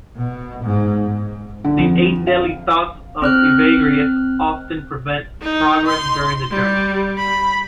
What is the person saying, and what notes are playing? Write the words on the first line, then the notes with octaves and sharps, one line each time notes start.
The Eight Deadly Thoughts of Evagrius often prevent progress during the journey.
B2
G#2
D3
F2
F5
C4 F6 F#6
D#4
C6
G3
B5